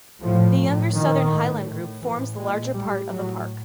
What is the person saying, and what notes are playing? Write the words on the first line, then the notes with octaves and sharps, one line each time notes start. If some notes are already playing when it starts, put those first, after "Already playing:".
The younger Southern Highland Group forms the larger part of the park.
A2 F3
A2
A#2 D#3
A2
A2
A2 E3
A#2 G#3
A2 G3
A2 F#3